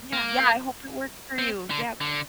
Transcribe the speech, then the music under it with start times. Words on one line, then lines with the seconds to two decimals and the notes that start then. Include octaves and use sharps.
Yeah, yeah, I hope it works for you, yep.
0.13 A#3
1.38 C4
1.70 D3
2.01 D3